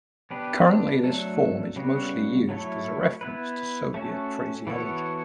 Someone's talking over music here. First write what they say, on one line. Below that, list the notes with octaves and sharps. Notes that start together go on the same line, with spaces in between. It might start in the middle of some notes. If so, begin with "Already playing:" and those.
Currently this form is mostly used as a reference to Soviet phraseology.
B3 D4 G4 B4
F#3 A3 D4 A4
C#3 G3 B3 F#4
F#3 A3 E4 A4 C#5
B3 E4 B4
A3 C#4 F#4 A4
E3 B3 F#4 A4 C#5